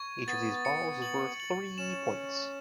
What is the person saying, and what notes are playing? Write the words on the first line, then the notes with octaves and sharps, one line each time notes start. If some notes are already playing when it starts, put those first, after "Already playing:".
Each of these balls is worth three points.
Already playing: C#6 G#6
B3 A6
C#7
F#7
F#7
C#4 E7